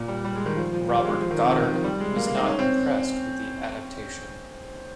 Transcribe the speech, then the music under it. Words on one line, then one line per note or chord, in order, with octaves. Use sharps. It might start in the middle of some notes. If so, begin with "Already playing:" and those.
Robert Goddard was not impressed with the adaptation.
Already playing: A#2
G3
G3
G#3
D#3
F3
F3
G3
G3
G#3
F3
D#3
C3
D#3
D#3
F3
G3
G#3
A#3
A#3
D#4
C#4
C4